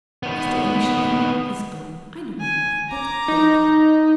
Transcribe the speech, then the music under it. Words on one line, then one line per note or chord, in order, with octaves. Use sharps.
As to Elisha Finney, he's glum, I don't deny, but faithful!
D#3 B3
G#5
A#5 D6
D#4